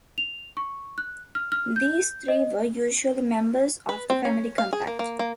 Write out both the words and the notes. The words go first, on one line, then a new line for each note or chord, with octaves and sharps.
These three were usually members of the Family Compact.
F7
C#6
F#6
F6
F6
G6
D#5
B4
C4
C#4
F5
G#4
A#3
A#3
A#3